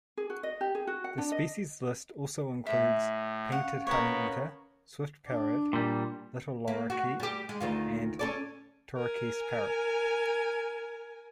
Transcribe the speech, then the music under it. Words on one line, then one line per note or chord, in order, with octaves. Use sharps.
The species list also includes painted honeyeater, swift parrot, little lorikeet and turquoise parrot.
G#4
F#4
D#5
G4
G#4
F#4
F#5
D4
D#5
A2 E5
C#4 F5 F#5 C#6
B2 B3 A#4 C#5
D4
A#2 G3
A#3
F#4
G3 G4
G#3
D2 D#3 F4
C#4 A4 D5
A#4 G#5